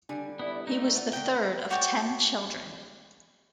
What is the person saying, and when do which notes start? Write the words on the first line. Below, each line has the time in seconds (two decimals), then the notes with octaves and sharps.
He was the third of ten children.
0.09 D3 G3 D4 G#5
0.39 B3 E4 D5
0.67 A3 D#4 D5
0.95 F4 F#5
1.13 B2 D3 G5
1.70 F#4 C#5 D5 G5